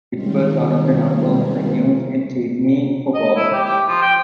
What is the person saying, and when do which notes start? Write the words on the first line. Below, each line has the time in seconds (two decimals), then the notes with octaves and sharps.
It was one of a number of venues in Sydney for balls.
0.15 D#3 G3 G#3 C4 C#4 F4
3.14 D#5
3.36 E4
3.52 G4
3.65 G4
3.88 F3
4.02 G5